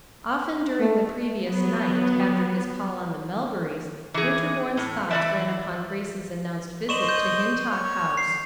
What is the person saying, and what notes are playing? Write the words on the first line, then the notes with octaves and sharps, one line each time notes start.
Often during the previous night, after his call on the Melburys, Winterborne's thoughts ran upon Grace's announced visit to Hintock House.
A3
F#3 B3
E3 G#4
A2
E3 D5 E5
C5 D5 D#5 C#6 E7 F#7
G6 E7
C#5
C7